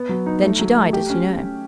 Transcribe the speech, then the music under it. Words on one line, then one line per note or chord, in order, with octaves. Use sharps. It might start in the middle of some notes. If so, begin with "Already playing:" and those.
Then she died, as you know.
Already playing: B3
F#3
D#4
A3
F#3
A3
G4
C#4